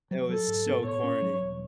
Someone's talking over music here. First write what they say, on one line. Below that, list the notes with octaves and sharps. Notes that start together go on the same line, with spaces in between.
It was so corny.
F#3
F#3 A4
G#2
B3
A2 C#5
C#4
F#3
E1